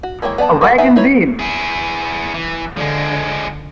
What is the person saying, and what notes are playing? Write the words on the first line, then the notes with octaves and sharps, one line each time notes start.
A wagon wheel!
F#4
G#3 A#3 E4 C#5 G5
B3 D5 G#5 A5
A#3 F#4 A4 D#5 F#5
B3 D#4 E5 G#5
D#4 E4 B4 C#5
E4 G#4
E3
D3 F3 G#3